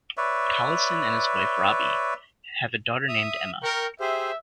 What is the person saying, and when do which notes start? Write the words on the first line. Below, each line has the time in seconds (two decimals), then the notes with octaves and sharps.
Collison and his wife, Robbie, have a daughter named Emma.
0.17 B4 C#5 D5 E5
3.08 E5 D#6
3.63 A#4 G5 C#6
4.00 G4 G#4 C5 E5